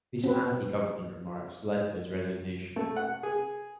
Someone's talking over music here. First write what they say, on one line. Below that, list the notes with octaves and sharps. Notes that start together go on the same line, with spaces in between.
These anti-government remarks led to his resignation.
C4 F#4 B4
A3
F#5
G#4